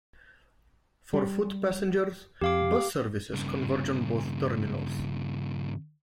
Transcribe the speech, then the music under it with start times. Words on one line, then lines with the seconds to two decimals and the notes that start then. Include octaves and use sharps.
For foot passengers, bus services converge on both terminals.
1.13 G3
2.41 F2 G4 F5 D6
3.33 G2 C#3